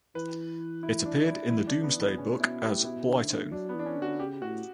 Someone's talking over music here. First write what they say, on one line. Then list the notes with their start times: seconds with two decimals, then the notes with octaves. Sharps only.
It appeared in the "Domesday Book" as "Blitone".
0.15 E3 B4
0.83 E4
1.05 D4
1.27 E4
1.50 E3 E4
1.67 D4
1.73 C#3
1.83 B3
1.95 E3
2.00 B3
2.18 C#3 C#4
2.39 B2 E4
2.62 A2 G4
2.85 B2 E4
3.07 D3
3.30 D3
3.52 F#3 D4
3.69 B3
3.74 E3 D4
3.86 C#4
3.97 D3 F#4
4.20 C#3 G4
4.42 A2 F#4